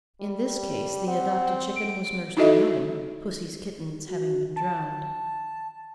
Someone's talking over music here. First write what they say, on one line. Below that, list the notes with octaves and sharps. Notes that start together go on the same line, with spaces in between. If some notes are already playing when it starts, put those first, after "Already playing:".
In this case the adopted chicken was nursed alone, pussy's kittens having been drowned.
G3
C4 F#5
D7
D#4 E4 F#4 A4 D#5 E5
F#4
A5